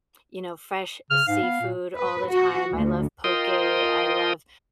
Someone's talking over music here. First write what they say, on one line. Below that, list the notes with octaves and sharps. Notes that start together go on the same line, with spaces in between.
you know, fresh seafood all the time. I love poke, I love,
C#3 F6
G#2 F5
B3
A#2
B4
F#4
D2
F4 A#4 D#5 G5 C6 D#6